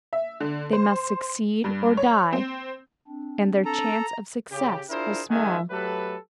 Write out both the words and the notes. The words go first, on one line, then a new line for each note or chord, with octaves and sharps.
They must succeed or die, and their chance of success was small.
E5
D3
C5
G2
C#5
C4
C4 D4
A4 A#5
C#3 G4
D4 E4 F4 G#4 A#4 C5
F#2 D#3 G#3 E5 F#5 G#5
F#3 A3 G4 A4 B4